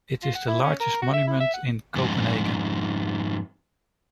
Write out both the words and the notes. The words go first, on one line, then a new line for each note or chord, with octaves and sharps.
It is the largest monument in Copenhagen.
F4
F#5
E4
C#4
A#4
F#4
E5
E4
E5
F#5
F2 G#2